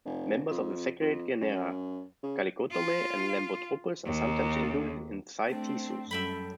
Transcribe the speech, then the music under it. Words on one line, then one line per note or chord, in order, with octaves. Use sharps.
Members of the segregate genera, "Calicotome" and "Lembotropis" are sometimes included in "Cytisus".
F1
F2
F2
F#2
C#3
F4
D#2
A3 C4 D4 G5
F#2 G3 A4 E5 G5 B5